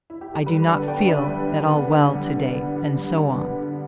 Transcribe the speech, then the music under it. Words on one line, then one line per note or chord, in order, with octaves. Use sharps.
"I do not feel at all well to-day," and so on.
E4
G4
A4
G3 G4 B4
D3 A4 D5
B3 D5 G5
D5
D3 B4 E5
G3
D3
B3
D3
G3
D3
B3
D3
G3
D3
B3
D3